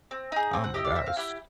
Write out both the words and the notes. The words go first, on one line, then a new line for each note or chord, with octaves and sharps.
Oh my gosh.
C4
D#4 G#4
C4 G#5
F#5
E4 G4 D#5
D5
C4 E5
F5
E4 G4 F#5